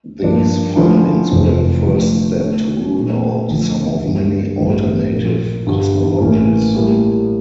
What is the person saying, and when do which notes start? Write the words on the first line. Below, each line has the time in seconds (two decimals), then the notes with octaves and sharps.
These findings were a first step to rule out some of many alternative cosmologies.
0.22 G2 F3 A#3 D4
0.76 D3 F3 C#4 E4 A4
1.31 F1 F2 E3
1.86 D3 F3 A3
2.40 D3 A3 D4 A4 C#5
2.95 A#2 A3 C#4
3.49 D2 D3 F3
4.03 G2 D3 G3
4.58 A1 G2 D3 G3
5.13 A#2 F3 A#3
5.67 G2 D3 G3
6.20 A1 A2 E3 A#3 C#4
6.75 A2 G3 A#3